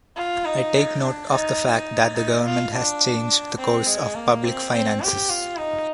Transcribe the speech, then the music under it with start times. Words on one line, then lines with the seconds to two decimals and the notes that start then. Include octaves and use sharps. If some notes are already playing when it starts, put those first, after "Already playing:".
I take note of the fact that the Government has changed the course of public finances.
0.16 F4
0.45 D#4
1.02 D4
1.32 D#4
2.16 D#4
2.45 F4
2.74 D4
3.58 C4
3.87 G#3
4.15 A#3
4.44 C4
4.73 C4
5.02 G4
5.30 F4
5.57 D#4